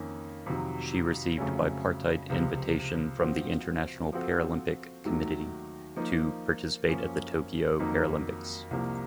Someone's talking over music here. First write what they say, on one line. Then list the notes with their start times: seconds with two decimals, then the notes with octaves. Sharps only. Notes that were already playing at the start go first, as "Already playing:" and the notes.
She received bipartite invitation from International Paralympic Committee to participate at the Tokyo Paralympics.
Already playing: F2 D#3 A#3 C#4
0.46 F2 C3 D#3 F#3
1.38 F2 C#3 F#3 A3 C#4
2.29 C#2 C3 F3
3.21 F3 C4 F#4
4.12 F3 C4 F#4 A4
5.05 D#2 D#3 F#3 A3
5.96 F3 A#3 D#4
6.87 F#2 F3 A#3 C#4
7.79 F2 D#3 F#3 A#3 D#4
8.71 C2 C3 F3 A#3